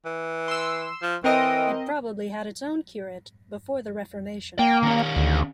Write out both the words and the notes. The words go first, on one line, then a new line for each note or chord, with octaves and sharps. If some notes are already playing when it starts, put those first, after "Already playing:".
It probably had its own curate before the Reformation.
E3
C6 E6
F3
E3 C4 A#4 D#5 G5
A#3 G5
D#3 C#4
D2